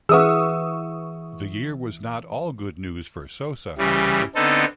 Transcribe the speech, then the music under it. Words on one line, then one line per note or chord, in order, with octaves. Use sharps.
The year was not all good news for Sosa, however.
E3 G#4 B4 E5 F#5 C#6 D#6 E6
C#3 E3 G3
D3 B3 C4 D#4 A4